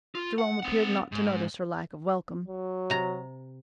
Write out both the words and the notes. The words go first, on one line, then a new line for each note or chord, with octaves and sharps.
Jerome appeared not to notice her lack of welcome.
F4
F#5
C4 F#5
G#2
F#3
C3 A#5